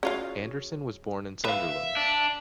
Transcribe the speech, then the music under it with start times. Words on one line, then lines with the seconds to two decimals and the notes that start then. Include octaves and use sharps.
Anderson was born in Sunderland.
0.03 C#4 F4 F#4 G#4 C#5 F5
1.44 A#4 B4 E5 F5
1.97 D4